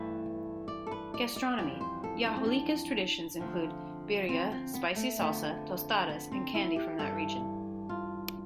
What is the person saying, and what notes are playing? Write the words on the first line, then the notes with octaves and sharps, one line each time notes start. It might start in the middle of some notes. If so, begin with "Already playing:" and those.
Gastronomy: Yahualica's traditions include "birria", spicy salsa, "tostadas", and candy from that region.
Already playing: G2 E3 A3 B4
D5
A4
B4
D5
D5
F2 E3 G3 D5
C5
A4
D4
C4
D4
F2 D3 F3 A3
C4
C4
B3
A3
F2 D3 A3 B3
B3
C4
E4
G4
G2 E3 G3 A4
F4